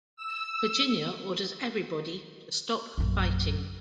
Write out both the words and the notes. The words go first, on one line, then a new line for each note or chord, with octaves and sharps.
Virginia orders everybody to stop fighting.
E6
A#1 F#2